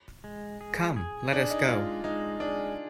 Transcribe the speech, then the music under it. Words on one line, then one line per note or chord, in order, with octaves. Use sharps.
Come, let us go!
G#3
G#4
G#4
D4 G#4
D#4
G#3 F4
G#3 D#4
D4 G#4